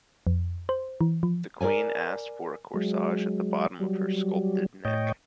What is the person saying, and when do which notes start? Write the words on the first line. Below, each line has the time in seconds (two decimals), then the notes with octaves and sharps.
The Queen asked for a corsage at the bottom of her sculpted neck.
0.27 F2
0.69 C5
1.01 E3
1.23 F3
1.61 A#4 C#5 D5 G#5
2.74 F#3 G#3
3.80 F#3 G3
4.85 A2 C#5 D#5 G5